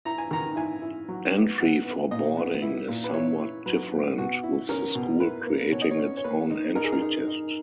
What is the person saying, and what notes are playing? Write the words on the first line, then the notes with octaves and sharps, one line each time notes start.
Entry for boarding is somewhat different, with the school creating its own entry test.
E4 A#5
G#5
D#3 A#5
E4 G#5
E4
F#3
B3
E4 F#5
B3
A#2 D#5
B3
E4
A#2
B4
E4 C#5
E4
F#3 B4
B3
B2 F#4
E4
C#4 A#4
B2
E4 B4
A#3
B2 C#5
D#5
C#5
C#4
C#5
A#3 B4
D#4
D#4 A#4
G#4
A#4
D#4
D#4